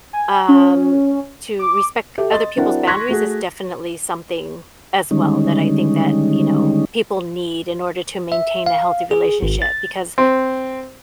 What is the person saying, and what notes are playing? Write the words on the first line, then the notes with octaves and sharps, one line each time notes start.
um, to respect other people's boundaries is definitely something, as well, that I think that, you know, people need in order to maintain a healthy relationship, because,
G#5
C#4
D6
G4 A4 E5
D#5 C6 A6
F#3 C4 D4 E4 A#4 F#5
C6 C#6 F#6 G#6 A#6 B6
A3 F#4 G#4
D3 D#3 G3 G#3 C#4 D#4
E5
F5
G#4
G#1
A6
C4